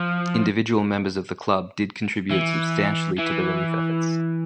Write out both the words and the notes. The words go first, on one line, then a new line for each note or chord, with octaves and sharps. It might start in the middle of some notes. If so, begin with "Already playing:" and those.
Individual members of the club did contribute substantially to the relief efforts.
Already playing: F3
E3
E3